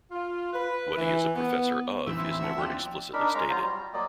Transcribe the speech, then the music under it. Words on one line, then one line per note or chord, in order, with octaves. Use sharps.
What he is a professor "of" is never explicitly stated.
F4
B4
E3
B3
A1 D#2 E3 C4 E4 E5
F#4 F#5 A5
D#2 F3 C4 D4 D5 G5
D4 D#4 A#4 B5
G#3 C#4 F5 A#5
F#3 F4 C5 A#5
G3
F#3 A#3 D5 D#5